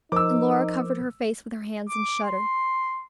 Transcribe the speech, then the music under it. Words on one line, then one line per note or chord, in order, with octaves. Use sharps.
And Lora covered her face with her hands and shuddered.
F3 D#4 A#4 C5 D6 E6
D6
C6